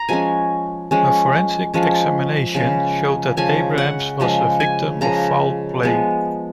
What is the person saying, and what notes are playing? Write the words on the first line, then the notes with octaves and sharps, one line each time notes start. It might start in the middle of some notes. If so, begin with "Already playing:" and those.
A forensic examination showed that Abrahams was a victim of foul play.
Already playing: A#5
F3 G#3 C#4 G#5
F3 G#3 C#4
F3 G#3 C#4
C#3 F3 G#3
C#3 F3 G#3 G#5
F#5
C#3 F3 G#3
G#5
C#3 F3 G#3 A#5
F3 G#3 B3